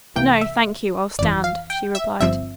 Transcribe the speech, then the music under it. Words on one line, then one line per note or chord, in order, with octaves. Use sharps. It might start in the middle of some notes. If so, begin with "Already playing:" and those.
"No, thank you, I'll stand," she replied.
C2 C3 E3 A#3 G5
E5
G1 F2 E3 D5
F5
G5
E5
G1 G2 F3 C4 E5